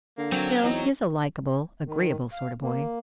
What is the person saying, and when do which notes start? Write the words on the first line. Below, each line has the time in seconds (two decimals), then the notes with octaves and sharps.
"Still, he's a likable, agreeable sort of boy."
0.18 D3 A#3
0.32 F#3 C4
0.63 E2 D#4
1.86 D#3
2.32 F5
2.61 A#3